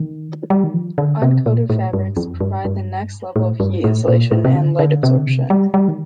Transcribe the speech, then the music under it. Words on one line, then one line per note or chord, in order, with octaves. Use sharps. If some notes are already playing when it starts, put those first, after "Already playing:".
Uncoated fabrics provide the next level of heat insulation and light absorption.
Already playing: D#3
G3
D#3
F3
D3
C3
A#2
A2
G2
F2
G2
G2
A2
G2
A2
A#2
A2
C3
D3
D3
C3
D3
C3
G3
G3
D#3